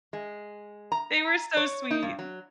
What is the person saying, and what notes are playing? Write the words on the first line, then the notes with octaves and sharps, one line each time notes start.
They were so sweet.
G#3
A#5
C#5
D#4
G2
F#3